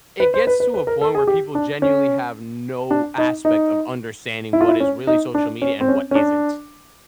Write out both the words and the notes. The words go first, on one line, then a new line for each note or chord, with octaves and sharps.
it gets to a point where people genuinely have no aspect of understanding what is really social media and what isn't.
B4
C5
B4
B4
B4
A#4
A4
G#4
G4
D4
C#4
D4
D#4
D#4
E4
F4
E4
C#4
D#4
D4
C#4
C4
C#4
C#4
D4